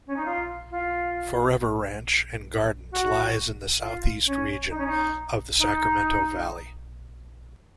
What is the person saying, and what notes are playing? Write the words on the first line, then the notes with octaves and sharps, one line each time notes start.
Forever Ranch and Gardens lies in the southeast region of the Sacramento Valley.
C#4
D#4
F4
F4
F#4
F4
C#4
D#4
C#4
D#4
D#4